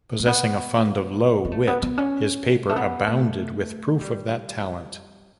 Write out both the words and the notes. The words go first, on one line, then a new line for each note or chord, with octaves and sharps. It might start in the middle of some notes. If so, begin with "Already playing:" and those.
Possessing a fund of low wit, his paper abounded with proof of that talent.
A3
B3
B3
A3
B3
B3
C#4
G3
A3
B3
A3
G3